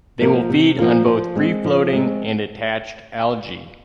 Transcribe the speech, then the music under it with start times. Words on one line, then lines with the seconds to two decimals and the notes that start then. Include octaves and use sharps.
They will feed on both free floating and attached algae.
0.21 F3 A#3 F4 A#4
0.50 C3
0.78 F3 A#3 F4 A#4
1.07 F3
1.36 G#3 C4
1.65 F3
1.93 G#3 C4